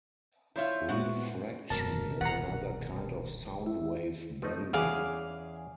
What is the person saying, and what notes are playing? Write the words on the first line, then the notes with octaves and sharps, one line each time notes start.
Refraction is another kind of sound wave bending.
E4 F4 C5 C#5 E5
A#2 G#3 B3 F#4
D#1 F#2 B2 G#3 A#4 A5
D#1 C2 E3 F#5 A#5
E4
F3 A3 D#4
E2 E3 C#4 G#4 F5 D6